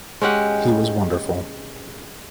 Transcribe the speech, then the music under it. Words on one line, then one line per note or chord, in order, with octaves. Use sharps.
He was wonderful.
G#3 C#4 G4 F#5